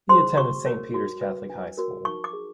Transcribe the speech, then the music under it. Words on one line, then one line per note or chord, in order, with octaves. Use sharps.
He attended Saint Peter's Catholic High School.
G#4 C5 C6
F#4 C#6
A#4 C#5
F#4
B4
D4
F#4 A#4 C#5
D#4 C#6
D6
G#4